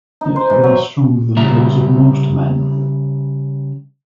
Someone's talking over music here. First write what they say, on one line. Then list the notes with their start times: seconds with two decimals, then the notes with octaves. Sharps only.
Yet they are stronger than those of most men.
0.21 D#4
0.36 C5
0.50 E3
0.63 F#3
1.37 C#3 G3 E5 A#5